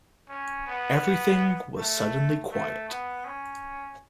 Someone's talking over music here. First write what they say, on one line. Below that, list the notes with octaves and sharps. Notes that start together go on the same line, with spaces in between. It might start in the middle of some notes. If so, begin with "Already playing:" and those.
Everything was suddenly quiet.
C#4
B3
A3
A3
B3
C#4